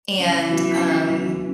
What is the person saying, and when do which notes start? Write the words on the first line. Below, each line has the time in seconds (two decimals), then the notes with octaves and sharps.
and, um,
0.19 C#3 E3
0.48 F#3 B3 F#4
0.78 C#3
1.08 F#3 B3 F#4
1.37 C#3